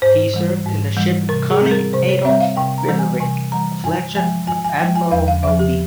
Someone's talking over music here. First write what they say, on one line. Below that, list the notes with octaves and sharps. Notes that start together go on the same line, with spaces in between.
He served in the ship "Konig Adolf Frederic", the flagship of Admiral Modee.
G#2 C5
E3 G3
G#2
E3 G3
C3 A#4
G#4
G3 C4
A#4
C3 C5
C#5
G3 C4 E5
F5
C3 G5
A#5
E3 G3
G#5
C3 G#5
E3 G3 A#5
G2 G#5
F3 G#3 G#5
G2 G#5
G#5
F3 G#3 G5
G#5
E2 F5
F5
C#3 F3 E5
G4